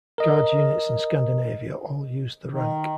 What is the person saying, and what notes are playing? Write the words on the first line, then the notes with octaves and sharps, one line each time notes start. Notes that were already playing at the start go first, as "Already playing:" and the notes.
Guards units in Scandinavia all use the rank.
A#4 D#5
D#3